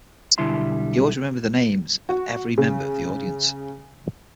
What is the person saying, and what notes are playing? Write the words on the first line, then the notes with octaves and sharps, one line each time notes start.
He always remembered the names of every member of the audience.
B1 D3 G3 E4 E5 C6
F#4
C#3